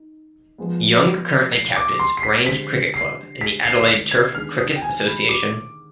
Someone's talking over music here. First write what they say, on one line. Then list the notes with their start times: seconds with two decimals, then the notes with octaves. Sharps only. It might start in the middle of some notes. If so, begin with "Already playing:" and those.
Young currently captains Grange Cricket Club in the Adelaide Turf Cricket association.
Already playing: D#4
0.58 F3 G#3 B3
1.52 C7
1.76 D6
2.00 C6
2.17 C7
2.23 B6
2.46 D3 G#3 C4 G4 C5 B6
2.94 C7
3.41 B6
3.64 C7
3.79 C7
3.88 B6
4.11 G#6
4.35 D#3 G#3 B3 D4 G#4 F6
4.58 D#6
4.76 G5
4.82 G#5
5.07 B5
5.29 D6